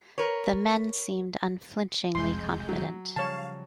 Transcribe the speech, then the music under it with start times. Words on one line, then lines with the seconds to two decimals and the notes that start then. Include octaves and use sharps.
The men seemed unflinchingly confident.
0.18 A#4 B4 C#5
2.15 E1 C2 F2 G#3 C6 G6
2.69 F#3
3.16 C#3 F3 G3 C#5 F5 A5